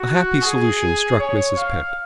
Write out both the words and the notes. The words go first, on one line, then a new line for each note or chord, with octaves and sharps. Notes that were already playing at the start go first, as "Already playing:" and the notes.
A happy solution struck Mrs. Pett.
Already playing: F#4
G#4
C#5
F5